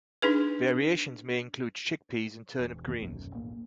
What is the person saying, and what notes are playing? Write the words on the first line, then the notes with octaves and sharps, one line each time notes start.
Variations may include chickpeas and turnip greens.
D4 D#4 G#4 B4
E1
C2 F2 D#3 A#3
D#1 B1 F#2 B2
E1 A1 A#3